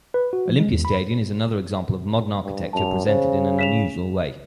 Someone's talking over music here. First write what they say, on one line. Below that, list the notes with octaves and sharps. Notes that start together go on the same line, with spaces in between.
Olympiastadion is another example of modern architecture presented in an unusual way.
B4
F#4
F3
G#3
E2
B5
G2
F#2 A5 F7
C#3 C5
B6 E7 F7